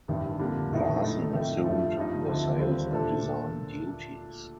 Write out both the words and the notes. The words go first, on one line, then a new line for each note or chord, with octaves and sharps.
Larson assumed the sales and design duties.
A1 G2 D#3
F2 D3 G3 A#3
A#1 A2 A3 D#4
A2 A3 D#4 A4
F2 D#3 A3
G2 F3 A3
G2 F3 A3 D#4
D2 D3 F3 A3 C4
D#2 D3 G3 C4 F4
A#2 A3 D4 A4